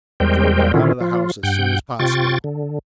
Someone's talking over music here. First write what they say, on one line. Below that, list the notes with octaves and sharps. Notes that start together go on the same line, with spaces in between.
Joe got out of the house as soon as possible.
E2 G3 G#3 A#4 C5 G5
A#2 D3 D#3 C#4 E4 F4
F3 F4
G2 F#5 G5 G6
C3 F4 G5 C#6 A6
D3